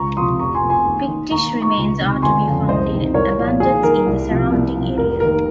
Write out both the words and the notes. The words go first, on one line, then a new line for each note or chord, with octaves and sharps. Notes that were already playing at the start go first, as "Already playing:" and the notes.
Pictish remains are to be found in abundance in the surrounding area.
Already playing: C#2 A#5 C#6
C3 F3 C6 D#6
F1 A#5 C#6
G#5 C6
F2 C3
G#5 C6
D#2
D#3
D#2 A#5 C#6
D#3
A#5 C#6
C#2
C3 D#3
G1 G#5 C6
F2 C#3 F3
C2 C5 D#5
C3 D#3
C2 A#4 C#5
A#2 F3
D#2 G#4
D#3 A#4
C2
C3 F3
C2
C3 F3
F1 A#4
D#2 D#3 A#4